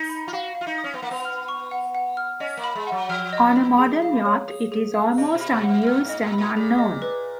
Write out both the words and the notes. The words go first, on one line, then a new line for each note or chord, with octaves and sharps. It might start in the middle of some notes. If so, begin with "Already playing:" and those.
On a modern yacht, it is almost unused and unknown.
Already playing: D#4
B5
F4
F#4 F5
F5
F4
D#4
D#6
C#4
B3
A#3 F#5
B3
F6
C#6
F#5
F#5
F6
C#4 D#5
A#3
B5
G#3
F#3 F#5
F3 F6
D#5
B5
G#4
F5
C#5
G#4
G#4
F5
C#3 D#5
B2
B5
B2
C#3 F#5
B2
B2
A#2 F6
G#2 D#5
A#2
B5
A#2
A#2 G#4
D#5
B4